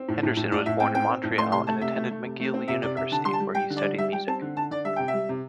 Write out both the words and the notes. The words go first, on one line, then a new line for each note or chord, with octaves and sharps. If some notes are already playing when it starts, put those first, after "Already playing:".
Henderson was born in Montreal and attended McGill University where he studied music.
Already playing: C4
A2
A2
A2
A2 D5
A2 E5
C4 G5
C4 G5
C4
A2
A3 C6
C3 C6
A3 A5
C3 E5
A3
A3
C3
A3
C4
C3 E5
C3 D5
C3 E5
D3 A5
G3 C6
A5
G3
G3 G5
D3
D5
G3
G3 E5
G3 G5
C4 A5
D3
D3 A5
D3 D5
G3 E5
C3 G5
E5
G3
C3